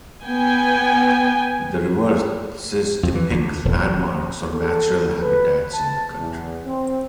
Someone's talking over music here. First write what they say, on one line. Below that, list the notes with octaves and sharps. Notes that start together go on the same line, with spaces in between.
The reverses depict landmarks or natural habitats in the country.
B3 G5 G#5
F2
E3
D2
D#1
A4
B4
A5
E2
C4